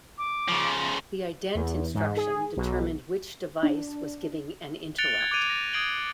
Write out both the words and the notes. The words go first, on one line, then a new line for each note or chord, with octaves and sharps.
The "ident" instruction determined which device was giving an interrupt.
D6
C#3 F3
E2
G#2
G#4
B1
D4
F#6 A6 C#7 D7 F7 G7
F#6 G#6
D6 F#6 G#6 D7 D#7 F7
A6 A#6
D#6 G#6 C7 D7 F#7 G7